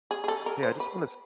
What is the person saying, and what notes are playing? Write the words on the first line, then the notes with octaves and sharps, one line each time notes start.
Hey, I just wanna s
G#4
G#4
A4
A#4
C5
B4